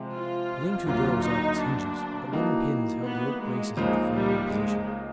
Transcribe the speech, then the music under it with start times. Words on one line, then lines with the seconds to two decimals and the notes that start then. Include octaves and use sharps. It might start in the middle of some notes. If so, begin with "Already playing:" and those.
The lean-to door was off its hinges, but wooden pins held the oak braces of the frame in position.
Already playing: C3 F3 G#3
0.15 F4
0.86 D2 D3 F#3 A#3 F4
1.23 D#4
1.60 D4
2.32 E3 G3 A#3 D#4 F#4
3.04 B3
3.41 G#3
3.77 C#2 C#3 F3 G#3 A#3 D#4
4.13 G3
4.49 G#3